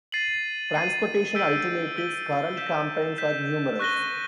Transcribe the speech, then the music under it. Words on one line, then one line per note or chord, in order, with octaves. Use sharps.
Transportation Alternatives' current campaigns are numerous.
A6 C7 D#7 F#7
A6 C7 D#7 F#7
E6 G6 B6 D7 G7
E6 G6 B6 D7 G7
G6 B6 E7
G6 B6 E7
C#6 F#6 A#6 D#7 G7